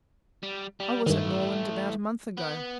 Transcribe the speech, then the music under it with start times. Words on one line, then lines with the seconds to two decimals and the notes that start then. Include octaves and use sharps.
"I was at Norland about a month ago."
0.43 G3
0.80 G3
1.06 G2 D#3 E3 A3
2.37 B3